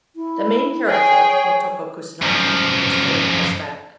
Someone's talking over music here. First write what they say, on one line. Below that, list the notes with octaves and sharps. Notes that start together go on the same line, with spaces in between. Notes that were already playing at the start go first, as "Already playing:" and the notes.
The main character, Motoko Kusanagi, is fully prosthetic.
E4
G#4 C#5 G5
F#2 F3